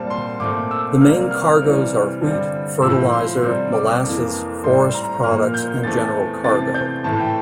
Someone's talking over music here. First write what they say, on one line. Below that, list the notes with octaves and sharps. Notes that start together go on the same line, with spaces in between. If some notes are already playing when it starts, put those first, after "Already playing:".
The main cargoes are wheat, fertiliser, molasses, forest products and general cargo.
Already playing: A#2 G3 C4 A5
C6
A#2 A3 C4 D6
E6
C3 G3 A#3 F6
F6
C3 E3 G3 C4
G2 D3 G3 C4
A2 F3 C4 E6
C6
C3 G3 C4
D6
F2 E3 A#3
A2 G3 C4 C6
A#5
A#2 F3 A#3 F6
G6
E2 E3 A3 C4 A6
C3 E3 A3 C4 A6
G6
A2 E3 A3 A5
G5